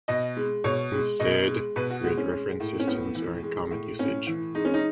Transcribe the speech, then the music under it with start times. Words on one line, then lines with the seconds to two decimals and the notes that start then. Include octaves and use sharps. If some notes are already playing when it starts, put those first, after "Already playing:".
Instead grid reference systems are in common usage.
0.08 B2 D#5
0.37 G#3
0.64 B2 C#5
0.92 G#3
1.20 B2 D#5
1.47 G#3
1.76 B2 B4
1.90 F#4
2.04 G#3 F#4
2.17 C#4
2.31 G#3
2.60 A2
2.79 C#4
2.87 A2 B3
3.15 E3
3.43 G#3
3.71 A2
3.99 A2 C#4
4.27 E3
4.55 G#3 D#4
4.65 C#4
4.74 D#4